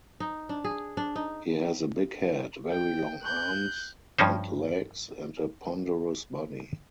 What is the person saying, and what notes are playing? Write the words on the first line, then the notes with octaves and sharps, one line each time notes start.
He has a big head, very long arms and legs, and a ponderous body.
D#4
D4
G#4
D4
D#4
G5
F#6 G6
G2 F3 C#4 D#4 C5